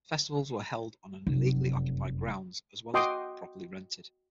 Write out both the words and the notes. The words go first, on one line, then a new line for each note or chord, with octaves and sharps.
Festivals were held on an illegally occupied grounds as well as properly rented.
F1 F#2
F#4 D#5 G5 C6 D6 D#6